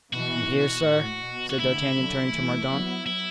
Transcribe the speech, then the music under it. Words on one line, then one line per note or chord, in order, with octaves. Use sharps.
"You hear, sir," said D'Artagnan, turning to Mordaunt.
B2 E3 F#4
B2
A2
B2
F#4
A2 D3 E4
D3 F#3
E3 A3
F#3 B3
E4